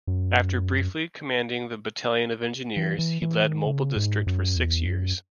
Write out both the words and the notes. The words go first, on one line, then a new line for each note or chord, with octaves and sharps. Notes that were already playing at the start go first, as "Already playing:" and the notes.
After briefly commanding the Battalion of Engineers, he led Mobile District for six years.
F#2
E3
E3
E3
D#3
C#3
G#2
F#2
E2
F#2